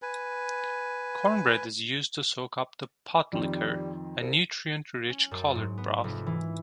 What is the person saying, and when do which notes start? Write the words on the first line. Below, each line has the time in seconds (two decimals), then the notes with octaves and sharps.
Cornbread is used to soak up the "pot liquor", a nutrient-rich collard broth.
0.02 B4 G#5
3.33 F2 D#3 G3 C4
4.20 C2
5.10 C#4
5.31 F#2
5.55 G#2
5.78 B3
6.04 F1
6.26 E3